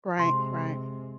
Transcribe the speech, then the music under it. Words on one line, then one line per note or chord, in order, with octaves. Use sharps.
Right, right.
C3 G#3 C6